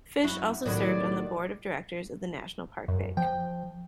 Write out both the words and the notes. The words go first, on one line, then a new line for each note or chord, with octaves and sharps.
Fish also served on the board of directors of the National Park Bank.
F#2 E4 F#4
C2 A2 D#3 F#3 D5
F#2
F3 G5